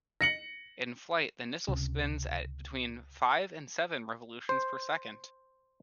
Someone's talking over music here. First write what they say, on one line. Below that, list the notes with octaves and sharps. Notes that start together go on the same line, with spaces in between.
In flight, the missile spins at between five and seven revolutions per second.
A#6 C#7 F#7
C#2 C3 C#4
C5